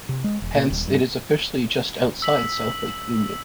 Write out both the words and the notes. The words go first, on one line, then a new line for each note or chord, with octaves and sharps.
Hence, it is officially just outside South Lake Union.
C3
G#3
E1
A#2
D#1
G2
E6 B6 F#7